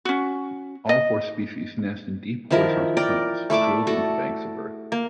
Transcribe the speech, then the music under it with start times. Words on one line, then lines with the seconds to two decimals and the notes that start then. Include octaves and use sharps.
All four species nest in deep horizontal tunnels drilled into banks of earth.
0.05 C#4 F#4
0.89 D#5
2.51 D#3 F3 E4 A#4
2.97 A#4 D5 G5
3.50 A3 E4 D5 D6
3.87 F#4 A4
4.92 A#3